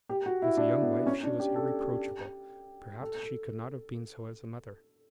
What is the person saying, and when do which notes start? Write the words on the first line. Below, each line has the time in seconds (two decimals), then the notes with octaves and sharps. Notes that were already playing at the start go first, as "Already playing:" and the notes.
As a young wife she was irreproachable; perhaps she could not have been so as a mother.
0.09 G4
0.26 F#4
0.42 E4
0.57 D4
0.82 B3
1.06 C#4
1.23 D4
1.40 G4
1.55 A4
1.80 G4
3.01 A4
3.23 A4